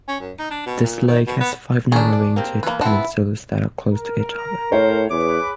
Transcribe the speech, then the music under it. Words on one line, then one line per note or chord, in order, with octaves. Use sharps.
This lake has five narrowing due to peninsulas that are close to each other.
C#4
F#2
D#4
D4
B2
A#2
D#3
B2
B3
D#3 C#4 D4 G#4
D5
A#3 C4 G4
E2 A#3 B4
B3 C4 D#4 E4 A5
A#4
A#5
A2 C5 C#5
E2 G#4 B4 D6